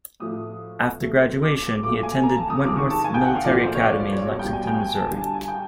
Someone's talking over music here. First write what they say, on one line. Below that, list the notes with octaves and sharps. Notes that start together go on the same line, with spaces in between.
After graduation, he attended Wentworth Military Academy in Lexington, Missouri.
A2 F3 A3 D#6
B2 F#3 A3
D6
D6
A#2 F#3 A3 D6
G#5
A#5
A5
D#6
C3 D#3 G#3 D6
C#6
A5
G#5
G5
F#5
F5
A#2 F3 A3 D5
C5
C#5
D5
D5
C#5
B2 G3
G5
G#5
G5
G#5
A5
D3 G3 G#5
A5
G#5
G5